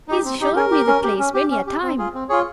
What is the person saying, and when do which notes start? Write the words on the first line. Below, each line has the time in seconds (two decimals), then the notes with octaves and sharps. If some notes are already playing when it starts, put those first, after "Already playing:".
He's shown me the place many a time!
0.08 D#4 G4
0.25 C4
0.40 D#4 G4
0.56 C#4 A#4
0.71 G4
0.87 C#4
1.04 G4
1.19 C#4
1.34 G4
1.51 C#4
1.67 G4
1.83 C4
1.98 F4 G#4
2.14 C4
2.29 F4 G#4 C#5